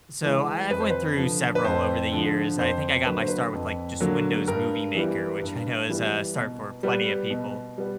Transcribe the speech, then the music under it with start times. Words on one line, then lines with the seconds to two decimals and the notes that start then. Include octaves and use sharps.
So, I I've went through several over the years, I think I got my start with, like, just Windows Movie Maker, which I know is a start for plenty of people,
0.23 E3 G#3
0.70 F2 B4
0.80 C5
0.91 B4
1.17 D3 F3
1.55 B4
1.65 F2 C5
2.12 D3 F3
2.59 F2 C5
3.06 D3 F#3 A#3 B4
3.18 C5
3.28 B4
3.53 F2
4.00 D3 F#3 A#3
4.47 G2 A#4
4.95 E3 G3 B3
5.42 G2
5.89 E3 G3 B3
6.36 B2
6.83 G3 B3
7.31 B2
7.78 G3 B3